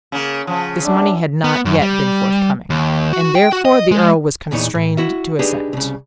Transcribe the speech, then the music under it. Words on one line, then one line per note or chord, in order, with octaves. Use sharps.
This money had not yet been forthcoming, and therefore the Earl was constrained to assent.
C#3 A#3
C#3 F3
F#2 D4
B3
F#2
G3
D#2
F#4
G5
F#4
D#5
G#3
E2 A#2 E3 D#4 C#5
A2
E4 F#4 E5
D4 D#4 G4 G#4 B4
C2 C#3